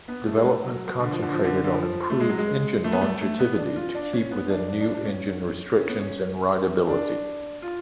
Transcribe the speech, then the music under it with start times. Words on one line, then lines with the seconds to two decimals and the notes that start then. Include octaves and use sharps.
Development concentrated on improving engine longevity, to keep within new engine restrictions, and rideability.
0.08 B3
0.27 A3
0.36 G#3
0.45 A3
0.63 F#3
1.00 D3
1.11 F3
1.22 D3
1.33 F3
1.44 D3
1.64 D3
1.73 F3
2.10 A3
2.20 G#3
2.29 F#3
2.38 G#3
2.84 A3
2.92 B3
3.01 A3
3.21 A3
3.39 B3
3.58 D4
3.76 F4
3.95 D4
4.13 C#4
4.31 B3
4.49 D4
4.68 D4
4.81 D4
4.93 D4
5.05 C#4
5.79 C#4
5.89 B3
5.99 C#4
6.89 D4
7.62 F4